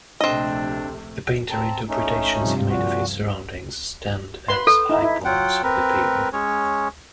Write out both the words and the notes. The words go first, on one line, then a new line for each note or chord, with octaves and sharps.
The painterly interpretations he made of his surroundings stand as highpoints of the period.
A#1 C3 A3 C4 D4 D#5
C4 A5 A#5
A3 C#4 D#4
G2 C3 F3
A#2 F#4
B4 C6
A4
D#4 E4
E4
F#3 F4 F#5 G5
C4 A#4 B4
G#3 C#4 C#5